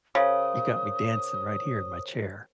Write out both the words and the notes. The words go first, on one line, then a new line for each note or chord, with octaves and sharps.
you got me dancing right here in my chair.
C#3 A#4 C5 C#5 D#6